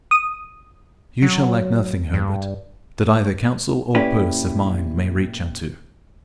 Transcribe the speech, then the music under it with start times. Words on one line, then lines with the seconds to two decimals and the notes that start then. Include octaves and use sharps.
'You shall lack nothing, Herbert, that either counsel or purse of mine may reach unto.'
0.11 D#6
1.22 F#3
2.14 G2
3.95 A#2 C#4 E4 G4 B4